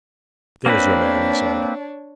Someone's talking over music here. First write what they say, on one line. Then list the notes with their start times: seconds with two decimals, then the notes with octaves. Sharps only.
'There's your man,' he said.
0.66 A#3 C4 D4 B4 C#5